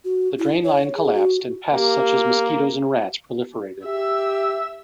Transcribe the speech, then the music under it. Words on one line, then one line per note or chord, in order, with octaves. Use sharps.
The drain line collapsed and pests such as mosquitos and rats proliferated.
F#4
E4
C#5
G#4
F#4
A#3 G4
G4 E5 E6